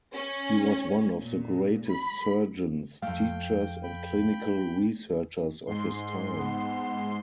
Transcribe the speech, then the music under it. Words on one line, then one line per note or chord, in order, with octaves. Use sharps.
He was one of the greatest surgeons, teachers and clinical researchers of his time.
C#4
A#2
B5
F2 A3 F5 G5
G5 B5
G#2 C6
B3